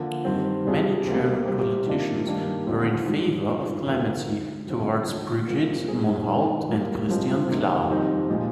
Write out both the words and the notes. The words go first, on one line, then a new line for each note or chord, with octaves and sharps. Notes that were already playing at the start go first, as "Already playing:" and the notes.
Many German politicians were in favour of clemency towards Brigitte Mohnhaupt and Christian Klar.
Already playing: D3 F3 A#3
G2 D#3 G3 C4
C3 G3 D4 F4 G#4
D2 C3 G3 A#3
C3 G3 C4 G4
C3 D#3 A#3 D4 F4
G2 D#3 A#3 D4 G4
D#2 D3 F3 G#3 C4
G#2 D#3 G3
G2 F3 G#3 D#4 G4
D2 D3 F3 A#3
D3 G#3 D#4
G2 D3 G3 C4 F4
D#2 D3 F3 G#3
C2 C3 F3 A#3
A#2 G3 C4 D#4 G#4
G#2 D#3 G#3
G#2 G3 A#3
G2 F3 G#3 C4
C3 D#3 A#3
F2 D#3 G3 C4 D#4
A#2 F3 G#3